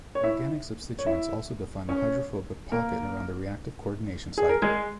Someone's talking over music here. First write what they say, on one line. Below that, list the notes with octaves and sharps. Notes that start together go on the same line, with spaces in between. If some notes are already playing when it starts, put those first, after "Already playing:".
The organic substituents also define a hydrophobic pocket around the reactive coordination site.
C#5
E4 E5
C#5
E4 E5
C#4 C#5
A#3 A#4
G#4
A#4
G#3 G#4